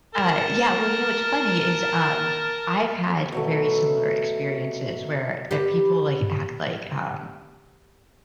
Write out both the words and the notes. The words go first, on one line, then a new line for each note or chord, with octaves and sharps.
Uh, yeah, well, you know what's funny is, um, I've had very similar experiences where, uh, people, like, act like, um,
A#4 A5
B2 F#3 A3
G4 B4